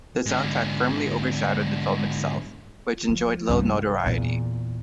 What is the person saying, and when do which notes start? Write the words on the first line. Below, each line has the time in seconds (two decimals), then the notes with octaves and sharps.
The soundtrack firmly overshadowed the film itself, which enjoyed little notoriety.
0.26 G#2 D3
3.09 F3
3.49 C2 G2
4.06 E2 A#2